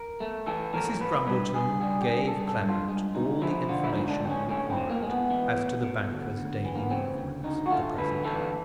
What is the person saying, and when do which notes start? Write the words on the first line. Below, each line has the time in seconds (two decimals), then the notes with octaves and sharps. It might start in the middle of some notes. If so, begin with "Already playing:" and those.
Mrs. Grumbleton gave Clement all the information he required as to the banker's daily movements at the present time.
Already playing: A#4
0.20 A3
0.47 E3 A4
0.74 A2 A#4
1.01 A2 B4
1.27 G2 B4
1.54 G2 G#4
1.81 G3 G#4
2.01 G4
2.08 D3 G#4
2.27 A4
2.35 G2
2.48 A4
2.62 G2
2.69 F4
2.89 G#3
3.15 D2 D#4
3.42 F3 E4
3.68 D3 F4
3.84 E4
3.89 D#4
3.95 G#3
4.09 D4
4.22 D2 C4
4.30 C#4
4.49 A2 C#4
4.70 C4
4.77 A2
4.90 A#3
5.02 G#3
5.10 B3
5.30 E3
5.56 A2
5.84 A2
6.10 D2
6.38 D2
6.64 E3
6.75 A#3
6.83 B3
6.90 C#3 C4
7.18 D2
7.44 D2 D#4
7.66 F#4
7.71 A3 F4
7.98 D2 B4
8.24 E3 A4